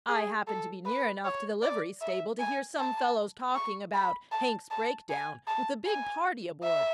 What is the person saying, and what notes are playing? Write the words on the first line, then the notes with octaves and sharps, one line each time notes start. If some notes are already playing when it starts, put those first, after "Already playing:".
I happened to be near enough to the livery stable to hear some fellows talking about Hank's breakdown, with a big party aboard.
G#4
A4
B4
C#5
D5
E5
G#5
A5
C#6
B5
A5
A5
G#5
A5
G#5
E5